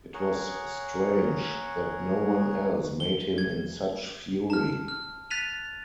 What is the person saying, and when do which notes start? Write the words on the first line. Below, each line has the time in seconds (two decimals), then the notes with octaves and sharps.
It was strange that no one else made him in such fury.
0.14 G#4 A#4 C#5 F#5
3.00 G7
3.38 G#6
4.50 A5 F6
4.88 F6
5.30 F#6 A6 B6 D#7 F7